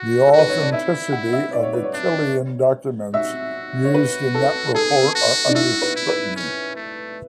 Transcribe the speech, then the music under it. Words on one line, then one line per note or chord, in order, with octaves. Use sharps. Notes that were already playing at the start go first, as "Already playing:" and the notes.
The authenticity of the Killian documents used in that report are under scrutiny.
Already playing: F#4
F#4 A4
B4
C#5
D5
E4 E5
F#5
E5
D5
C#5
B4
C#5
D4
F#4 E5
C#5
B4
A4
G#4 A4
F#4
D4
E4 F#4
B4
E4
B4
C#4
A3